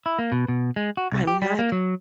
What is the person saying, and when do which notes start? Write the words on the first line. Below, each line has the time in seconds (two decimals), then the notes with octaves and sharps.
I I'm not
0.06 E4
0.19 A#3
0.32 B2
0.48 B2
0.76 G#3
0.97 F#4
1.12 C2
1.27 G4
1.42 G3
1.59 A#3
1.72 F#3